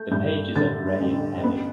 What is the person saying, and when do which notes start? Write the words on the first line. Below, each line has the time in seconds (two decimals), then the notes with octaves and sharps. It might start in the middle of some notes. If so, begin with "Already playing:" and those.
The pages are gray and heavy.
Already playing: A3 G6
0.11 G2 G6
0.56 D3 A6
1.00 A1
1.44 B3